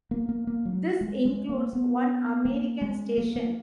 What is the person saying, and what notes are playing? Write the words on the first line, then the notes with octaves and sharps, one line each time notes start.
This includes one American station.
A#3
A#3
A#3
F#3
G#3
G#3
A#3
B3
A#3
G#3
A#3
A#3